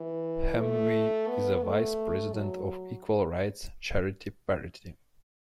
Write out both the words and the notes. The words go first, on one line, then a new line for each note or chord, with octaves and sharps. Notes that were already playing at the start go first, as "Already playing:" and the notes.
Hamwee is a vice president of equal rights charity Parity.
Already playing: E3
A3
B3
A3
F#3